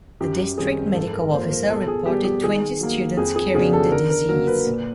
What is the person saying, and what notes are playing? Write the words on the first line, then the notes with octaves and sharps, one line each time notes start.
The district medical officer reported twenty students carrying the disease.
F#2 G4
D#3 G3 C4 D#4 G#4
G#2 A4
A#4
F3 A#3 C5
A#4
B2 A4
G#4
G3 B3 G4
G4
D#3 G#4
F#3 A#3
F2 G#4
G#4
C#3 F#3 B3 D4 G#4
A4
D3 A#4
A#4
F#3 A#3 A#4
B4
A#2